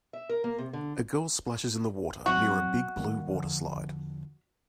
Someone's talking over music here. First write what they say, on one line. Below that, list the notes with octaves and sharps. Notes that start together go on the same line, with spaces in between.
A girl splashes in the water near a big blue water slide.
E5
A#4
A#3
C3
D3
A2 F#3 C4 F#4
D#3 G3 A#3
E2 D3 F3